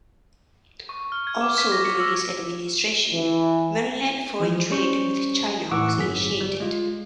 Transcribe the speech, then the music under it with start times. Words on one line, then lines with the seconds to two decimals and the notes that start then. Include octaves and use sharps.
Also during his administration, Maryland foreign trade with China was initiated.
0.89 C#6
1.12 F6
1.27 G#6
1.41 D6
1.58 B6
1.72 A#6
1.85 C#7
2.00 E6
3.13 E3
4.40 E3 F3
4.70 G3 C#4 C5 C#6
5.71 A2 E3 F#5 C#6 D6 E6
5.98 G1 F#3 G#4 B6
6.40 G3
6.60 G#3 F4